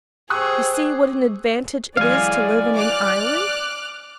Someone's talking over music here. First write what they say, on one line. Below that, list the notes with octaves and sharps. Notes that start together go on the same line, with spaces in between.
You see what an advantage it is to live on an island!
G4 G#4 C5 C#6 D#6 E6 F#6
E3 F#3 G#3 D5 F5 G#5
D6 F6 F#6